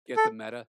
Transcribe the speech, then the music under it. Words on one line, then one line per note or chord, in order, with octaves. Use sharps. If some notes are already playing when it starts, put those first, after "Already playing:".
Get the Meta.
A4